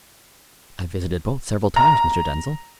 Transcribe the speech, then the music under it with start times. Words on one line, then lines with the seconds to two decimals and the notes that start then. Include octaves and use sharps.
"I've visited both several times, Mr. Denzil."
1.76 A#5